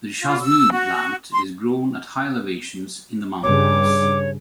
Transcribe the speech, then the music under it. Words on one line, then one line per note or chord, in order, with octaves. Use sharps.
The jasmine plant is grown at high elevations in the mountains.
F4
E6
F#4
C6
G2 C#3 C#5 D6